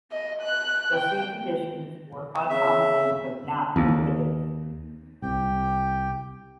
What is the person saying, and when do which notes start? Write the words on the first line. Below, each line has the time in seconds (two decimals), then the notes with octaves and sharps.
The sea conditions were "unpromising but not prohibitive".
0.12 D#5
0.42 F#6
0.96 G5
2.49 C#3 E5
3.76 D#2
5.22 C2 G4 G5